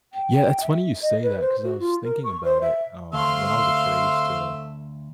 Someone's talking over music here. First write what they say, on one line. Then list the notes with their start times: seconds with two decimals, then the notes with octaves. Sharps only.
Yeah, it's funny you say that, 'cause I was thinking about it, um, when I was a kid I used to
0.13 G5
0.34 G5
0.61 E5
1.02 D#5
1.23 B4
1.41 C5
1.64 F#4
1.80 F4
2.04 A#4
2.24 C#6
2.44 C5
2.61 E5
3.13 D2 A3 C4 E5 F5 C6